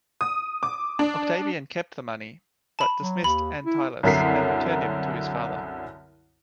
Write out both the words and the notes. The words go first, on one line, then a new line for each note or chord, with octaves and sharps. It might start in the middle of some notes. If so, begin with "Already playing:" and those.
Octavian kept the money, but dismissed Antyllus and returned him to his father.
D#6
D6
D4
A5 B5
F#3
D#2 B5
E4
C2 F#2 D3 A#4 B6 C7